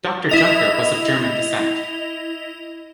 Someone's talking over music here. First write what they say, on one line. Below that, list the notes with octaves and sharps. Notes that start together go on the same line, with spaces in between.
Doctor Junker was of German descent.
E4 D#5 F7